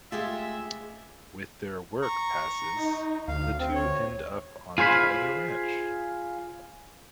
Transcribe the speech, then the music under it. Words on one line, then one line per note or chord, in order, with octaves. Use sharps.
With their work passes, the two end up on Tyler Ranch.
G#3 A3 F4 G4 G#4 E5 A6
A#5 C#6
D#4
D2 F5
C4
C#5
F4 G#4 C5 F5 B5